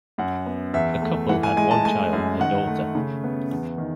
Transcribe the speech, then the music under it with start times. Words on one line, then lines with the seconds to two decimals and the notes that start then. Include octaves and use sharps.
The couple had one child, a daughter.
0.18 F#2 F#5
0.46 B3
0.74 E2 E5
1.02 A3
1.29 E3 F#5
1.43 G#5
1.57 G#3 G#5
1.71 A5
1.85 A3 G#5
2.13 F#2
2.40 D#3 F#5
2.67 A3
2.95 C#3
3.24 B3
3.51 E2
3.78 D#3